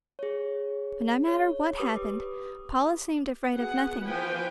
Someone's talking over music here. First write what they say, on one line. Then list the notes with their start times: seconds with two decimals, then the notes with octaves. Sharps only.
But no matter what happened, Paula seemed afraid of nothing.
0.19 G#4 C#5
1.28 C#5
1.78 G4 B4 D6 D#6
3.56 B3 F#4 G#4 F#5
4.04 E3 F3 B4 G5 G#5